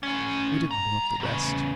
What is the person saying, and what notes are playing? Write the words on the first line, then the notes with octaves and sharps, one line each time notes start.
We didn't want the rest.'
A2 C#4
C2 A#5
E2 C#3